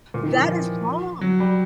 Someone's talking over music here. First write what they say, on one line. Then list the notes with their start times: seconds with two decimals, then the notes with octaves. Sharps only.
that is wrong.
0.14 A#2
0.23 D#3
0.32 E3
0.41 F3
1.21 F#3
1.40 G3